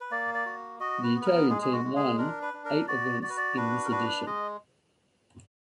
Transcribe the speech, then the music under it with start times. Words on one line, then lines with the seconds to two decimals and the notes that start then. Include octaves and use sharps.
The Italian team team won eight events in this edition.
0.01 B4
0.11 A#3 D5
0.34 D5
0.46 F#4
0.80 F#4 D#5
1.03 B4
1.15 B3
1.21 B4
1.26 A#4
1.49 G#3 G#4
1.62 G#4
1.72 F#4
1.84 G#3
1.96 G#4
2.18 D4 A#4
2.42 B4
2.54 D4
2.65 A#4
2.88 F#4 D5
3.22 F#4 D5
3.29 B4
3.37 D5
3.57 D4 B4
3.85 A#4
3.91 D4 B4
4.26 G#3 D#5